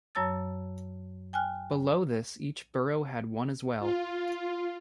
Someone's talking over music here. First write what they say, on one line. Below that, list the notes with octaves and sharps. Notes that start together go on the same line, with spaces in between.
Below this each borough had one as well.
F#2 F#3 C#5 A5 E6 A6
G5 G#5 F6 F#6
F4